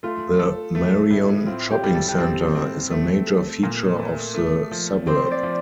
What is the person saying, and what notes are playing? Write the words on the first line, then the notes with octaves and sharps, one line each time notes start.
The Marion Shopping Centre is a major feature of the suburb.
A3 F4
A4
A3
A2
C4 F4
G4
G3
A4
G4
C4 A4
C4
A3
A3
A#2 A#4
A3
A3
F3
C4 C5
C5
D5
F3